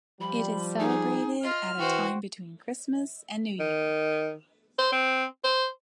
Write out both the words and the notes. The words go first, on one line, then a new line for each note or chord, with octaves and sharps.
It is celebrated at a time between Christmas and New Year.
F3 G3 B5
D#4 G#4
F4 D#5 F6
E3 F#4 C5 G5
D#3
C5
C4
C5